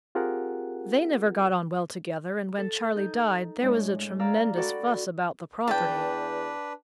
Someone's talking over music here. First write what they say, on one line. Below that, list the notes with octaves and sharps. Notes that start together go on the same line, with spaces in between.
They never got on well together, and when Charley died there was a tremendous fuss about the property.
C4 F4 G4 G#4 A#4 F#5
A4
D#4 G6
A2 G#3 D4
D5 F5 A#5 D6 E6
F#4 A4 D5 G5 B5
E2 D4 B4 G5 A5